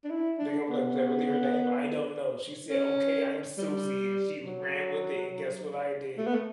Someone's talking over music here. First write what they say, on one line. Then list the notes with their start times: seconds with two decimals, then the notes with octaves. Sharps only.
They gonna be like, "Was that really her name?" "I don't know. She said, 'Okay, I'm Suzie', and she ran with it, and guess what I did?"
0.04 D4
0.10 E4
0.39 D4
0.69 B3
2.70 C#4
3.58 G3
4.44 F#3
6.18 A3
6.26 B3
6.35 A3